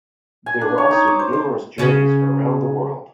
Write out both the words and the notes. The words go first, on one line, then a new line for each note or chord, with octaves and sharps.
There were also numerous journeys around the world.
G#5
D4
C#5
D#4
D6
C5
C5
C#3 C#4